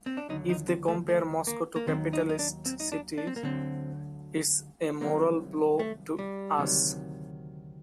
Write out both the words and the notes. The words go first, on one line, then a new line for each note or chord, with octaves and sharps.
If they compare Moscow to capitalist cities, it's a moral blow to us.
C4
D4
D#2 D3 F#3 D#4
D#4
C4
A3
A3
A#3
A#3
D#2 D#3 F#3 C4
D#4
D#4
D4
C4
D#4
D4
D4
C4
A#3
D2 D3 F#3 C4
C2 C3 D#3 F#3 A#3
A3
G3
D2 C3 D#3 F#3